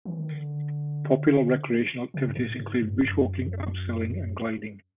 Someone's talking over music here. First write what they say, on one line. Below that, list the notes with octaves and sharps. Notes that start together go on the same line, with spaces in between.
Popular recreational activities include bushwalking, abseiling and gliding.
E3
D#3
D3
C#3
G#2
A2
G#2
G2
F#2